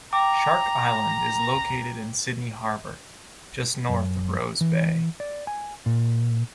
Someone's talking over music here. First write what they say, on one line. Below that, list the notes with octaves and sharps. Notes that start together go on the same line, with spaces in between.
Shark Island is located in Sydney Harbour, just north of Rose Bay.
G5 A#5 D6
F#2
E3
D5
G#5
A#2